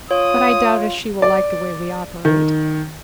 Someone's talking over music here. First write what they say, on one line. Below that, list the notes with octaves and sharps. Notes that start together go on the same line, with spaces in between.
But I doubt if she will like the way we operate.
F4 C#5 D#6
D5
D#3